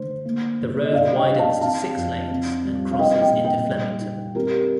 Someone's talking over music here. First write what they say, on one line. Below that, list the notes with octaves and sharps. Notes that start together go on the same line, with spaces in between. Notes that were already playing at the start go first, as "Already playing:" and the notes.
The road widens to six lanes and crosses into Flemington.
Already playing: D3 A3 C5
A#3
G2
D#5
G2 D5 F5
D#5 G5
D4
F5 A5
C4 F5 A5
F2
C4
G3
F5
C4 D#5 G5
D#5 G5
A#2
D#5 G5
G3
D#4
C4 G4 A#4